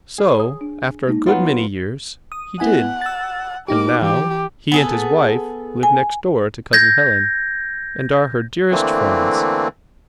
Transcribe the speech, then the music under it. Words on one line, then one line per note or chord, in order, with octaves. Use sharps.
So after a good many years, he did, and now he and his wife live next door to Cousin Helen, and are her dearest friends.
G#4
C#5 D#6
D4
G#3 A#3 D#4
F#3 B3 F4
D#6
B3 E4 F#5 G#5
E6 A6
A#3 D#4 G4 D6
E3 G4
B3 G#4 A4
G#5
G6 G#6 A#6
D3 E3 A3 A#3 C4